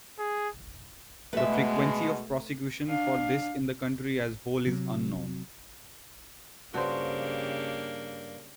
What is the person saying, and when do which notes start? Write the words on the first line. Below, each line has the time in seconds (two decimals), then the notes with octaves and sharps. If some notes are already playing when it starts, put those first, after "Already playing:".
The frequency of prosecutions for this in the country as whole is unknown.
0.19 G#4
1.33 B2 G#3 A3 B4 E5
2.89 D4 F5
4.66 C3 F#3
6.74 G2 C#3 A#3 D4 F#4 G4 C5